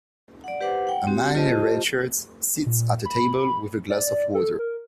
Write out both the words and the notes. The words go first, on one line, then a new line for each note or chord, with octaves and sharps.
A man in a red shirt sits at a table with a glass of water.
D5 F#5
G4 B4 C5 F#5 D6
F#5 G5
C4 F#4 G4
F4 G4 C5 D#5 A5
A#2
B5
D5
D5
A4
A#4